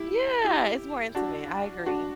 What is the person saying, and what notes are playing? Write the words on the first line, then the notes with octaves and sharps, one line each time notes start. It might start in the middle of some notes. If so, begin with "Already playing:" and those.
Yeah, it's more intimate, I agree.
Already playing: E4 G4
E4 G4
D4 F#4
D4 F#4